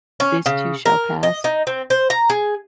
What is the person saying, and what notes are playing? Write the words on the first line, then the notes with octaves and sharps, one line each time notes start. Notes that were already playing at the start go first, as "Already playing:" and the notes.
this too shall pass.
C#4
C#3
A#4
D#5
D#4
C4
C5
A#5
G#4